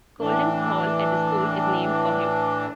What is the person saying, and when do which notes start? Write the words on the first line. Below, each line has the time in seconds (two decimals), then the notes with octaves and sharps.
Colden Hall at the school is named for him.
0.20 A2 E3 D4